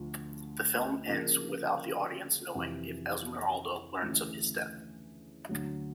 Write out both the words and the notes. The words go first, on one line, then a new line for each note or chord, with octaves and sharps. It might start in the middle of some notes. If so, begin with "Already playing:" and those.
The film ends without the audience knowing if Esmeralda learns of his death.
Already playing: D2 D3 F3
C#3 F3 A#3
F2 C3 E3
D2 C#3 E3 A3 C#4
D2 D3 F#3